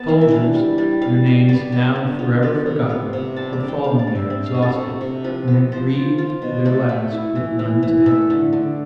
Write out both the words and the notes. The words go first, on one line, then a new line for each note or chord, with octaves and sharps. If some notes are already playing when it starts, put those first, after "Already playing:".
Soldiers, their names now for ever forgotten, had fallen there exhausted and had breathed their last with none to help them.
Already playing: B3 A5 B5
E3 F5
E5
D4 F5
G3
G3
G3 F5
G3
B3 D5
B3
D3
F4
B3 D5
C3
B3 F5
C3
G3 A5
D6
D4
G5
D4 F5
D5
G3
E5
C4
F5
C3
A4
C3
C3
F3 B4
B3
F3 C5
F4
F4
B2
A3 D5
A3
E4
E3
E3
E3
A3 E5
D3
D3